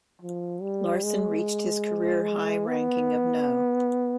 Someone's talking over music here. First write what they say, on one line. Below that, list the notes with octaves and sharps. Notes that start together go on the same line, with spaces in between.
Larsson reached his career high ranking of no.
F3
G3
G#3
B3